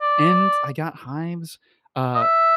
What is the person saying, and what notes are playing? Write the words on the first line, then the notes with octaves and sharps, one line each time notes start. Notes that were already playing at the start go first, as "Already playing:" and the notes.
And I got hives, uh,
D5
D#5
E5